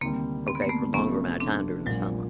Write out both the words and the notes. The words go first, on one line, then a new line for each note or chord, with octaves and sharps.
okay, for a longer amount of time during the summer,
D2 C3 D#3 G3 A#3 C4
C4
B3
A#3
A3 B3
F1 F2 C3 F3 A3 B3 C#4
C4 D4
A#1 A#2 F3 F#3 G#3